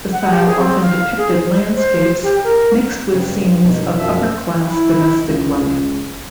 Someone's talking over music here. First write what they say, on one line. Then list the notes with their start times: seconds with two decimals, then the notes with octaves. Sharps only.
The style often depicted landscapes mixed with scenes of upper-class domestic life.
0.13 F#5
0.30 G4
0.46 G#4
0.59 C4
0.82 F5
1.18 G#4
1.32 C5
1.76 C5
2.23 G4
2.44 A#4
3.14 G2 C#3 C4
3.66 B2 D#4
3.97 F#2 F3 E5
4.68 E4
5.28 C#2